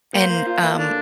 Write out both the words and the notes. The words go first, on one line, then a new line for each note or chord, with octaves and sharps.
And, um,
A#3 C5
A#3
F4
A#3
D3 D4